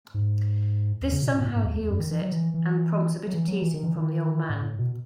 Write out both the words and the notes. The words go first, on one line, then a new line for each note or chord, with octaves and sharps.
This somehow heals it, and prompts a bit of teasing from the old man.
G#2
E2
C#3
B2
A2
B2
A2
G#2
E2
E2
F#2
D#3
E3
F#3
E3
E3
F#3
E3
F#3
E3
D#3
E3
D#3
A2
A2
B2